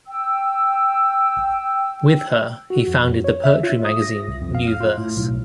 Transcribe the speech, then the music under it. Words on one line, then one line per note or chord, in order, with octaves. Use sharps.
With her, he founded the poetry magazine "New Verse".
G5 E6
F#4
F2
C#5
E5
F4
D#6
A#6
C2
F2
F5
F6
F4
A2
B1